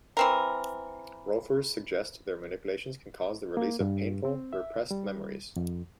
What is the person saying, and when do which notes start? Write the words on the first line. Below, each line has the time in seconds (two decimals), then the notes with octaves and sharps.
Rolfers suggest their manipulations can cause the release of painful repressed memories.
0.17 E3 C4 A#4
3.57 A#3
3.80 G2
4.25 C4
4.53 E5
4.91 G3
5.56 F2